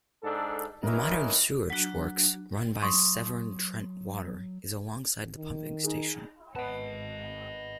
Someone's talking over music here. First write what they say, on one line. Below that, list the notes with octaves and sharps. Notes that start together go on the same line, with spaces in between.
The modern sewage works, run by Severn Trent Water, is alongside the pumping station.
G#2 D4 A4
E3 F#3 D#4 E4 A#4
F#3 D4 F#4
F#3 C6 C#6 D#6
D#3
D#4 G#4
G#1 B3 D#5 A5